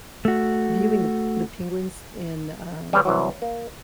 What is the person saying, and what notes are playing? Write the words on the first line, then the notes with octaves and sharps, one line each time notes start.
viewing the p the penguins and, um
A3 F#4
G3 G#4 B4 C#5
C2 E3 F#3
A#3